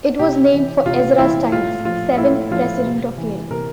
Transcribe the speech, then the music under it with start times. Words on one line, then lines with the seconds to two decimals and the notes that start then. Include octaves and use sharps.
It was named for Ezra Stiles, seventh president of Yale.
0.19 C3 G4
0.53 E3
0.86 C3 F4
1.18 E3 E4
1.52 A2 F4
1.85 F3 F4
2.18 A2 E4
2.51 F3 F4
2.84 C3
3.18 E3
3.51 C3 A#4